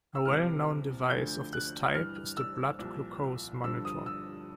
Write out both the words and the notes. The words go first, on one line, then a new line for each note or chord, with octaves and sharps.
A well-known device of this type is the blood glucose monitor.
E6
C2 C3 E3 F6
D2 D3 F3 G6
F#6
G2 E3 F6
E6
C2 A#2 F3
G2 D3 F3 E6
D#6
E6